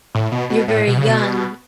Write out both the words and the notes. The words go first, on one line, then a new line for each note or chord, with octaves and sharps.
you're very young,
A2
B2
B2
A2
B2
C#3
B2